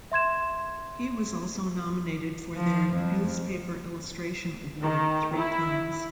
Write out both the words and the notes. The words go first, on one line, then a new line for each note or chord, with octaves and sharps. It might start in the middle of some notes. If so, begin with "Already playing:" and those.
He was also nominated for their Newspaper Illustration Award three times.
E5 C6 G#6 E7
F3
F2
D#3
E4